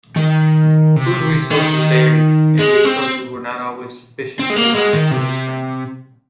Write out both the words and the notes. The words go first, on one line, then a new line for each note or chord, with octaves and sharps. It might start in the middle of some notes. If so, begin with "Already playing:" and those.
Food resources varied, and resources were not always sufficient to last through to spring.
D#3
C3
D#3
G#3
C4
C4
G#3
A#3
G#3
D#3
C3